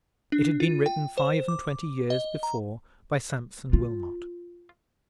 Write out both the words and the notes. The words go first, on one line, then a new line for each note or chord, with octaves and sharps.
It had been written five-and-twenty years before by Sampson Wilmot.
D4
F4
G5
C5
D6
D#5
A#5
F4